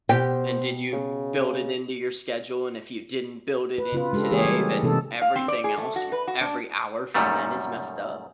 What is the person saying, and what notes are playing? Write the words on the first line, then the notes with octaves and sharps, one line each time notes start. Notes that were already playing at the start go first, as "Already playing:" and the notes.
And did you build it into your schedule, and if you didn't build it in today, then everything else y every hour from then is messed up?
B2 G4 C5 G5
C#3
B4
C#3 F4 B4
G#3 D4 G4 A4
E3 A#3 G4 G#4 A#4 C#5
G3
C3 E3 B3 D#4 A4
F5
C4
D5
G#4
A3
F#4
B4
F#4
D4
F#2 A#2 D#3 G3 A3